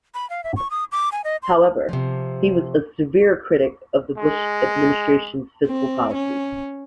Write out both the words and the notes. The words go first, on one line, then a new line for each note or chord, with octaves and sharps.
However, he was a severe critic of the Bush Administration's fiscal policy.
B5
F5
E5
C#6
D#6
D6
G#5
D#5
C6
C3 F3
G#3
C4
C#4